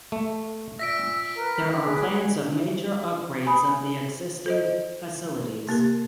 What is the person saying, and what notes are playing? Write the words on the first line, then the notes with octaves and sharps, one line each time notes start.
There are plans of major upgrades of the existing facilities.
A3
A#2 E5 E6 A#6 B6 D7
A#4 B4
G#4 B4
G#5 B5 D#6
A4 C5 D#5
C3 A#3 G4 A#4